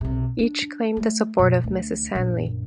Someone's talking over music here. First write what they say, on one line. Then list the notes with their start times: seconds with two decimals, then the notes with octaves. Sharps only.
Each claimed the support of Mrs. Hanley.
0.01 B1 C3
0.39 D4
0.97 A3
1.39 F#2 B2
1.64 D2
2.15 A#1 F#2